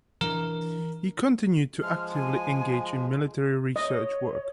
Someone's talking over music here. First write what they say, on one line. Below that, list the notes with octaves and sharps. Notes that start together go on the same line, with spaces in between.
He continued to actively engage in military research work.
E3 D4 A#4
F3 G#3 F6
G#5
C#5 D#5